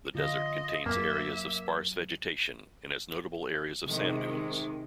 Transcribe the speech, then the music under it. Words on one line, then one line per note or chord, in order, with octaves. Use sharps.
The desert contains areas of sparse vegetation and has notable areas of sand dunes.
D3 F4 D#5
F#2 F#3 A#3 D4 E5
C3 D#3 G#3